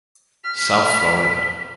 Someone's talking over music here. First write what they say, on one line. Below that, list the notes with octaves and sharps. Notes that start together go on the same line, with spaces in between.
South Florida.
F6 B6